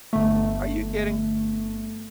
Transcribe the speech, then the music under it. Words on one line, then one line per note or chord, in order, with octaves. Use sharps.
Are you kidding?
G1 A3